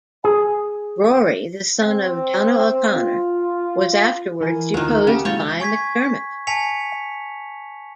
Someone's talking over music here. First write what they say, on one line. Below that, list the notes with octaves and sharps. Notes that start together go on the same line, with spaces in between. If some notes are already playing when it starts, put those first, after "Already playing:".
Rory, the son of Donough O'Conor, was afterwards deposed by Mac Dermot.
G#4
C4
F4
E3 E4 A#4 G#5
D2 D#3 F#3 D#4 F4
C#3 A#3 C#4 G4 F#5
G#3 E4 F#4 C#5 F5 G6 A6
G#5 C#6 G#6 B6
G#5 A5 B6 C#7 F7